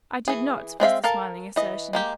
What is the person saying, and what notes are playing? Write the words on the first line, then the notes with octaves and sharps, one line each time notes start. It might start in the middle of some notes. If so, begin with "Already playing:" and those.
"I did not," was the smiling assertion.
E3 G#4
G#3 C4 E5 F5
A4 A#4 F5 A5
E3 D#5
G#3 A#3 G4